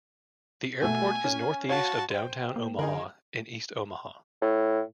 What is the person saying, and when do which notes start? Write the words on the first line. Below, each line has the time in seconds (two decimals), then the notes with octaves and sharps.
The airport is northeast of downtown Omaha in east Omaha.
0.81 B2 A3 G#5
1.24 C#4
1.69 F#4 C#5 F5 A5
2.10 C5 G5
2.56 A#3
2.79 D3 D#4 G#4 A#4
4.42 A2